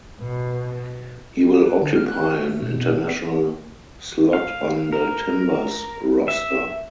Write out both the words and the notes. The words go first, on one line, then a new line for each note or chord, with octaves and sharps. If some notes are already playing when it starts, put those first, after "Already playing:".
He will occupy an international slot on the Timbers roster.
B2
G4
B4
D3
F6
F#6
F#4
A3
B2
B2
F5
A#4
E5